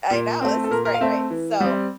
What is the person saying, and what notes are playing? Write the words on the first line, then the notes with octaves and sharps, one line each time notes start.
I know, this is great, right? So,
A#2
A3 C4
A4
A#2 A#4
A#4
F5
A3 C4 E5
E3
G3 C4